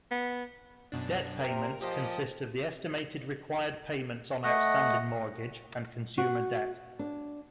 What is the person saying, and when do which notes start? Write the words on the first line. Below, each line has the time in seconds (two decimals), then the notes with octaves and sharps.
Debt payments consist of the estimated required payments on outstanding mortgage and consumer debt.
0.11 B3
0.92 F#2 B2 D4
1.40 C3 A#4
1.81 A#2 F3 G4 D#5
4.44 A3 D#5 F#5
6.18 F#4
6.99 D4